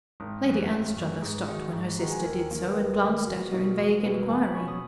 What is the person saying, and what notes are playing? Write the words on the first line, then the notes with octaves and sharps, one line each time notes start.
Lady Anstruthers stopped when her sister did so, and glanced at her in vague inquiry.
G#1 D#6
F#2 E3 C#6
G#1
F#2 E3 C#6
G#2 D#6
D#3 G#3 D#4 F#4
G#2 C#6
D#3 G#3 D#4 F#4 A#5
G#5
D#2 A#4
A#4
D#3 A#3 A#4
B4
D#2 A#4
D#3 A#3
E2 F#4
B2 F#3 A#3 D#4 F#4
E2 G#4
B2 F#3 A#3 D#4 B4
E2 G#5
B5
B2 F#3 C#4 C#6
D#6